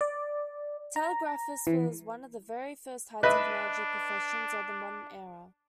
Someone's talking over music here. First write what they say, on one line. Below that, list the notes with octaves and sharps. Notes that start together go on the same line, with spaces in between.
Telegraphist was one of the very first "high-technology" professions of the modern era.
D5
A#5
E3
D4 B4 D#5 E5